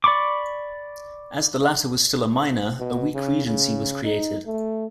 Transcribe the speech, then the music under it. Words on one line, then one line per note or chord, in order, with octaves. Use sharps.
As the latter was still a minor, a weak regency was created.
D5 B5 C#6 D6
B2
C#3
C#3
D#4
A3